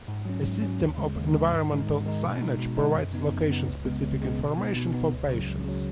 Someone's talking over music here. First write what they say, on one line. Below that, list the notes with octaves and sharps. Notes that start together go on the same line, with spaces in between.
A system of environmental signage provides location-specific information for patients.
G#2
F#3 C#4
G#2
F#3 C#4
D#2
C#3 G#3
D#2
C#3 G#3
G#2
D#3 G#3 D#4
G#2
D#3 G#3 D#4
B2
G#3 D#4
B2
G#3 D#4
F#2
C#3 B3 D#4
F#2
C#3 B3 D#4
C#2
C#3 G#3 B3
C#2
C#3 G#3 B3
B2
B3 D#4
B2
B3 D#4
C#2
C#3
F#3
C#2
C#3 F#3